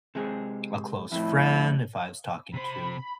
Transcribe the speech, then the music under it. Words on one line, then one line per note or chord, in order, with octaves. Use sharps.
a close friend, if I was talking to
C3 G#3 G#4
F2 A2 E4
C3 C5 B5